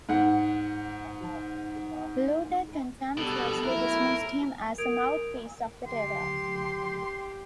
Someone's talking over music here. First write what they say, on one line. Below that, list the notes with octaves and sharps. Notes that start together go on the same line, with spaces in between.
Luther contemptuously dismissed him as a mouthpiece of the devil.
G#2 F#5
B2 G3 D4 A4
B1 A3 E4 A#4
A#4 D#6 G6 G#6 D7 F7
G4 C6